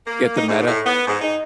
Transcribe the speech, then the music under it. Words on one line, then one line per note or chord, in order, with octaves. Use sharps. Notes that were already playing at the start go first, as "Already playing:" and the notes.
Get the Meta.
A#3
D#4
G#2
A2
B3
G#2
D#4